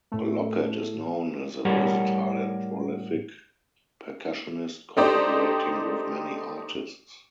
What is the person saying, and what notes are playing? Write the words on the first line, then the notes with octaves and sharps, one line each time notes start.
Lockett is known as a versatile and prolific percussionist, collaborating with many artists.
A2 A3
A2 G3 G4 A#4 C#5 F#5
A3 D4 D#4 G4 C5 D5